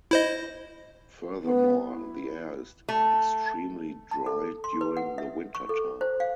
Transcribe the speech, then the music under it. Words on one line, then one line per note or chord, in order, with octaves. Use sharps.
Furthermore, the air is extremely dry during the winter time.
E4 C5 D#5
B3
E4
A3
A5
A4
C6
B4
F#5
E5
C#6
A4
C5
F5